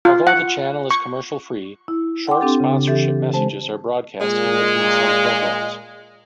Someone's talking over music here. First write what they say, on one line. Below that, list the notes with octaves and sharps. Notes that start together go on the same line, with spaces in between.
Although the channel is commercial-free, short sponsorship messages are broadcast in between some programmes.
F4
F#5
C#6
E4
F#5 G5 C6 D6
C4 D4 G4 A4 G5
C#3
E3 G4 A4 E5
G#3 C5 A5
A#2 G#3